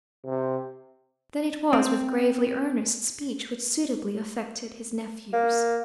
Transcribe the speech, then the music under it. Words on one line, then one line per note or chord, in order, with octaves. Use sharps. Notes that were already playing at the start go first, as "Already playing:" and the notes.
Then it was with gravely earnest speech which suitably affected his nephews.
C3
C4
A#3